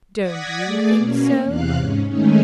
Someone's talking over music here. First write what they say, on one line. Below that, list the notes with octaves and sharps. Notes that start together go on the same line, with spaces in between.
'Don't you think so?
D5 F#5 D#6 G#6 A#6 B6
A3 G#4 D5
B2 A#3 C#4
E2 C3 F5 F#6
G#2 C#4
D#3 G#3 A3 C#4 D#4